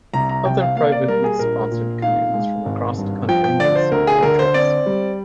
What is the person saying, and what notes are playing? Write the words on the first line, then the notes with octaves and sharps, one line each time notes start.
Other privately sponsored canoes from across the country made similar trips.
C2 A#5
A#5
C3 G5
F5
A#3 F5
D5
G3 A#4
G#4
A#1 A#4
A#2
D#4 F5
G#3
G#1
G2
F3 G5
G5
D3 D5
C5
D2 A#4
G#4
D3 A#4
C5
C4 D5
G3